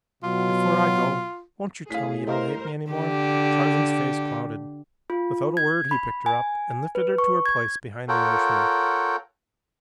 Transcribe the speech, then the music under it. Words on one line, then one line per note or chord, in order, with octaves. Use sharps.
"Before I go won't you tell me you don't hate me any more?" Tarzan's face clouded. Without a word he picked her up and lifted her to her place behind the Englishman.
B2 F#3 F4
A2 G#4 F5 B6
G4 A#4 C5 D#5 F5
D3 G4
F4
G#6
B5
G#5
B4
C#6
G#6
F4 A4 A#4 C#5 F#5 G5